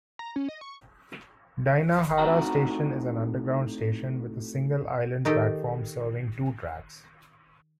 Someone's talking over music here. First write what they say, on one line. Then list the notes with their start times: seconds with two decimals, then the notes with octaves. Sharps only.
Dainohara Station is an underground station with a single island platform serving two tracks.
0.19 A#5
0.36 C#4
0.49 D#5
0.61 C#6
2.18 A2 C3 D#4 F#4 F#5 A#5
5.25 D#3 D#4 G4 A4